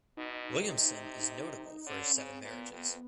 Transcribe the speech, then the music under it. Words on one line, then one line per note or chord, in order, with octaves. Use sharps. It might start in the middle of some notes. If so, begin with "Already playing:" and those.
Williamson is notable for his seven marriages.
B2 D#4
C3
D3 C#4
C#3 C4
A#2 B3
F2